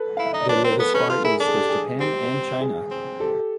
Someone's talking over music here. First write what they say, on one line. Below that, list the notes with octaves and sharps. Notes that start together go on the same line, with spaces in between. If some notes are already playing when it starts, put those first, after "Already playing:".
They live as far east as Japan and China.
Already playing: A4 B4
E4 F5
E5
D#4 D#5
D5
D4 B4 C#5
C4
A#4
B3 A4 B4
C#4 A4 B4
F4 A4 B4
E4 G#4 A#4
D4 A4
G#4
G4 A4
G#4
C4 G4
G#4
C4
G4 A4